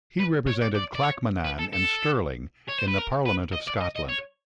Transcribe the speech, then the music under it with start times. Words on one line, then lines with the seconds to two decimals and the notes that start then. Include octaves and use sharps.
He represented Clackmannan and Stirling in the Parliament of Scotland.
0.20 B4
0.47 C#5
0.62 D5
0.75 D5
0.95 D5
1.03 C#5
1.45 B4
1.59 A4
1.73 A4
2.68 C#5
2.78 C5
2.88 B4
2.98 A#4
3.26 B4
3.53 D#5
3.67 D5
3.81 D#5
3.96 D#5
4.09 C#5